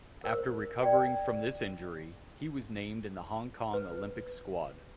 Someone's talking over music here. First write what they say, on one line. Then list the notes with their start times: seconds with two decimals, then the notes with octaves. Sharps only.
After recovering from this injury, he was named in the Hong Kong Olympic squad.
0.24 A#4 C5
0.82 D5 G5
3.74 B4